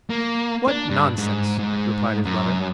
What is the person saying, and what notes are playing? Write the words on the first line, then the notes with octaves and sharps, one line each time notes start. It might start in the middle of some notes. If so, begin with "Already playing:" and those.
"What nonsense," replied his mother.
A#3
D4
G2
G#2
G#2
F#2